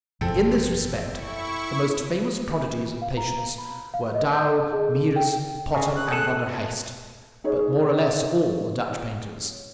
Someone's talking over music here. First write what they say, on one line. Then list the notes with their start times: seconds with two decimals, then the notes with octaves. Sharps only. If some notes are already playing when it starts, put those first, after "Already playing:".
In this respect the most famous prodigies of patience were Dow, Mieris, Potter, and Van der Heist, but more or less all the Dutch painters.
0.21 F#1 E2 B2 F3 C4 A4
1.10 E4 C#6
3.02 F5
3.17 A#5
3.58 B5
3.94 F5
4.15 D#5
4.33 G6
4.46 D#5
4.73 G#4
5.16 G5
5.74 C#3 G#5
5.95 F#6
6.08 G#4 A4
7.44 D#4 G#4 C#5